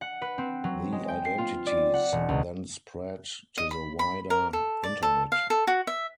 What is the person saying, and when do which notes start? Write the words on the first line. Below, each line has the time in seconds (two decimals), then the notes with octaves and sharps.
The identities then spread to the wider Internet.
0.01 F#5
0.22 B4
0.38 C4
0.64 F#3
0.92 G#3
1.08 G5
1.25 C7
1.38 F4
1.67 D5
1.94 F#5
2.12 E1
2.29 C#2
3.58 D#5
3.71 B5
3.99 B5
4.30 A#4
4.53 A4
4.83 D5
5.03 A4
5.32 F5
5.50 A4
5.67 F#4
5.87 E5